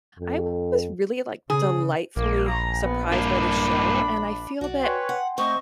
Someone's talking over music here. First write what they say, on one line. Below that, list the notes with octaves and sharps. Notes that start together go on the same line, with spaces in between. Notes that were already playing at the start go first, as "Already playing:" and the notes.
I was really, like, delightfully surprised by this show, and I feel that
F2
C#3 G#4
A#1 A#3
A#5
B3
G2 A#3 D4 B5
B1 F#4 D5
B4 C#5 G5 G#5 C6
F#5
A3 C4 C5 D#5 C#6